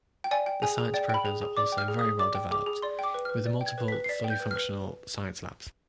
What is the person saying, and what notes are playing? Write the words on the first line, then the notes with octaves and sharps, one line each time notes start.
The science programs are also very well developed, with multiple fully functional science labs.
G5
D5 G#5
G5
G#4 G#5
G#4
D5 G5
G5 B5
G#4
G#4
D5 D6
G5
F6
G#4
D#6
G#4
D5 D6
G5
G#4 D6
G#4
D5 C6
G5 D6
B4
F6
B4
D5
G5
G#6
B4
B6
B4
C7
D5 B6
G5
G6
B4
F6
B4